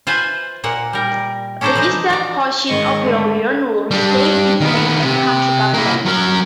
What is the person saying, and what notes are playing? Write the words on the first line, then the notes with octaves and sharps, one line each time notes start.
The eastern portion of Loudoun would retain its name and county government.
F4 B4 C5 E5 G#5
A#2 A#3 F#5
G3 A#4
C#4 D4 E4 A4 C5 A#5
E3 F3 D4 D#4 D#5
D5 A#5
G#2 D#3 G#3 D#5 C#6
G#2 D3 A3
G3 D4
D#3 B3
C3
A#3 E4
F#3 A#4